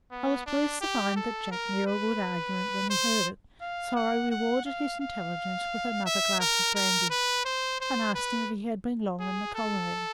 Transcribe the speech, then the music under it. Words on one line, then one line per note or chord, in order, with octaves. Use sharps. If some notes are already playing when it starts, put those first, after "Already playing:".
I was pleased to find that Jack knew a good argument when he heard it, so I rewarded his intelligence with another glass of brandy, and asked him if he had been long in the colonies.
B3
D4
G4
A4
A#4
B4
C5
F5
F#5
F#5
F5
F5
E5
A#4
A#4
B4
C5
C5
B4
G#4
A4